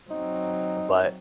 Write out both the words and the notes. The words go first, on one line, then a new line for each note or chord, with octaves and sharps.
Uh, but,
F#3 C4 D#4